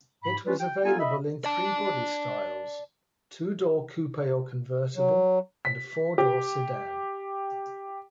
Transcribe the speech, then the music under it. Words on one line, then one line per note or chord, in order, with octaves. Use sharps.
It was available in three bodystyles: two-door coupe or convertible and a four-door sedan.
G#2 B5
F#3 G3 C#4 F4 B4
G5
B3 D#4 F4 A4 F5 G#5
D#5 E5 B5
D5 A5
F#3
B6
G4